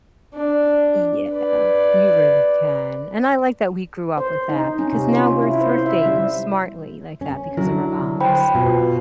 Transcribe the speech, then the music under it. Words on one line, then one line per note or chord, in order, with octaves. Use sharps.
Y yeah, you really can and I like that we grew up with that, because now we're thrifting smartly like that because of our moms.
D4
B4 D5
C5
D#4
C#4
C3
F4
E4
C5
E5
G3
C#4
D3 F#3 E4
C5 G5 B5
B2 F4